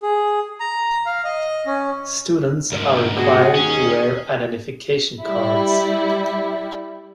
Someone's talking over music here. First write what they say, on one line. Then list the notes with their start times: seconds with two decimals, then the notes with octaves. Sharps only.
Students are required to wear identification cards.
0.03 G#4
0.60 A#5
1.06 F5
1.24 D#5
1.66 C#4
2.72 D2 G#2 A#4
3.16 B2 F#4 G#4
3.55 D#2 D#3 C#4
5.22 G3 E4